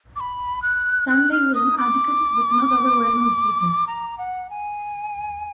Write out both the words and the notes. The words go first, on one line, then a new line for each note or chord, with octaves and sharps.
Stanley was an adequate but not overwhelming hitter.
D6
B5
F#6
F#6
F6
D#6
D6
A#5
F#5
G#5